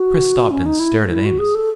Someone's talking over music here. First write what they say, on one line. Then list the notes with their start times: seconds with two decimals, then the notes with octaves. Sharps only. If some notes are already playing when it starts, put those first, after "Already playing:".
Chris stopped and stared at Amos.
Already playing: F#4
0.51 C#4
0.66 D#4
0.80 E4
1.10 E4
1.25 F#4
1.39 G#4
1.55 A4